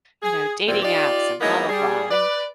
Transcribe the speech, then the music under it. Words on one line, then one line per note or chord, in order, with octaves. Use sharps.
you know, "dating apps, and blah blah blah," and,
G#4
E2 A#2 G3 C4
D#4 F4 G4 D5
F#3 G#3 A#3 B3 D#4 E4
G3 G#4
B4 D5